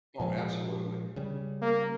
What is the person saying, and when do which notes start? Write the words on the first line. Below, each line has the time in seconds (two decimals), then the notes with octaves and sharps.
Oh, absolutely.
0.20 A#2 F3 G#3
1.16 C#3 G3
1.62 A#3